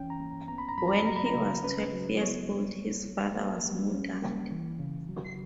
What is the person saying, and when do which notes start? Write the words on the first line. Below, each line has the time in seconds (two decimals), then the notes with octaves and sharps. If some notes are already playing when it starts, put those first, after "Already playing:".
When he was twelve years old his father was murdered.
Already playing: E3 C#4 G5
0.10 A#5
0.20 A#3
0.48 B3 A#5
0.58 B5
0.69 A#5
0.78 F#3 B5
0.88 A#5
0.97 B5
1.06 F#3 A#5
1.16 B5
1.26 A#5
1.35 C#3
1.63 C#4 B4
1.93 F#3
2.21 B3 C#5
2.49 G3
2.78 A#3
3.07 F#3
3.36 A#3
3.65 G3
3.94 C#4
4.22 A#3
4.52 E3
4.79 C#3
5.08 F#3